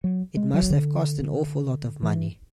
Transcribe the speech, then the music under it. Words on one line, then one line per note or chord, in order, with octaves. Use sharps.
It must have cost an awful lot of money.
F#3
G#3
F#3
D3
E3